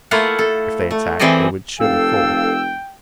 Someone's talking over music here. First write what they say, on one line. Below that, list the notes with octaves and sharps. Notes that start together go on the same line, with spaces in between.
If they attacked they would surely fall.
A3 A#3 E4 F4 F#5
A4
A3
E3 C4 G#4 A4 D5 D#5
F1 A4 F5 G5 E6